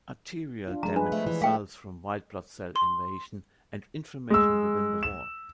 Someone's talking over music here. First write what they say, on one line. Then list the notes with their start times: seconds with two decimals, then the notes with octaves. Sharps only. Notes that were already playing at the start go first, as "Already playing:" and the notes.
Arterial damage results from white blood cell invasion and inflammation within the wall.
0.68 D4 F4
0.83 F3 G#3 A#5
0.96 D4 B4
1.12 A3
1.27 E3
1.42 A3 F5 G5
2.76 C6
4.30 G#3 E6
5.03 E7